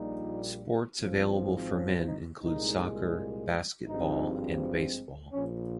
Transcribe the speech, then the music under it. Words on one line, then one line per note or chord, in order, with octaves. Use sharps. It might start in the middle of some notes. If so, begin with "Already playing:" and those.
Sports available for men include soccer, basketball, and baseball.
Already playing: A#1 A#2 G3 D#4
G#1 G#2 F3 C4
C#4
D#4
C2 A#2 G#3 D#4
G#1 G2 F3 G#3 C4 D#4
A#1 A#2 F3 C#4